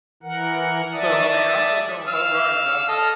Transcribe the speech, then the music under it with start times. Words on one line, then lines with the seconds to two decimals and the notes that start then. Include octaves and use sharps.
So, I mean, I still go on boat rides, but I,
0.23 E3 A#4 F#5
0.93 D5 E5 A5 D#6
2.08 F5 E6 F6
2.88 A4 D#5 F6